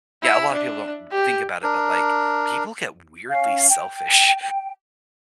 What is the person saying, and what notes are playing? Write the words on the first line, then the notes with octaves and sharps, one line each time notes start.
yeah, a lot of people don't think about it, but, like, people get weirdly selfish
E4
D4
G4
D4 A#4
C#4 F5
G5